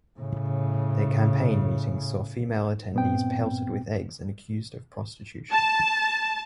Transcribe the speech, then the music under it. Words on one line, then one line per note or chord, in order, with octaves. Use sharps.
Their campaign meetings saw female attendees pelted with eggs and accused of prostitution.
A2 C#3
G2 A#2 B3 C4 G5
A5